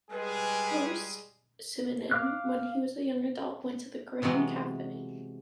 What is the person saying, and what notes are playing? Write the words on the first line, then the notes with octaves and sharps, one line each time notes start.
Georges Simenon, when he was a young adult, went to the Grand café.
G3 G#3 G#4 B4
F5 D6 F6 F#6
C3 E3 F#3 G#3 B3